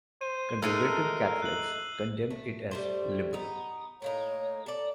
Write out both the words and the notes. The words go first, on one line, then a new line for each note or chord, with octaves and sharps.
Conservative Catholics condemned it as "liberal".
C5 D#7
G#3 A3 D#4 A#4 E6 C7 D#7
F#6 F#7
A3
G3 A3 C5
B3 D#4
A2 A#3 D#4 C#5
A4 D5